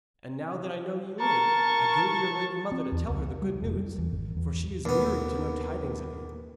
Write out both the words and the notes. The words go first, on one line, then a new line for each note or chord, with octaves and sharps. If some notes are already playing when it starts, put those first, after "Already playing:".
And now that I know ye live, I go to your lady mother to tell her the good news, for she is weary to know tidings of you.'
A#4 A5 C#6
C4
E2
C#2
G3
F1
G3
E2
G#1
E2
D#2 B3